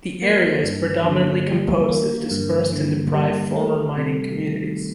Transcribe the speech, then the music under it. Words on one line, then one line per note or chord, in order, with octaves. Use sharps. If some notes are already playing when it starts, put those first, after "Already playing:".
The area is predominantly composed of dispersed and deprived former mining communities.
A#3
G2
D3
G3
A#3
G2
D3
G3
A3
C3
D#3